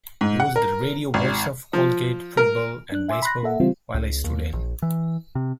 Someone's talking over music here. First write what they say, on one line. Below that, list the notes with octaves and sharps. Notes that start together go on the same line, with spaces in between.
He was the radio voice of Colgate football and baseball while a student.
G#2
F#5
A#4
G#1
F3
A#4
D4 F#6
E5 G#5 C6 D6 E6
B5 C6 F#6 A#6
A#3 A4 E5 F#5
C#3 E3 G3 C4 F4
C#2
D#2
A#1
E3
C3